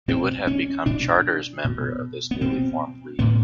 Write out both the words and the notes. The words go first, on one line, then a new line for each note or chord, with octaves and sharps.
They would have become charters member of this newly formed league.
B2 C4
C#4
B2 D4
B2
B3
B2 C4
A2 B3